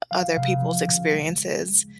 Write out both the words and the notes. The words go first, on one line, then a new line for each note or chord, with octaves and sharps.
other people's experiences.
F3 F5
C3 F5
F3
C#3
G#3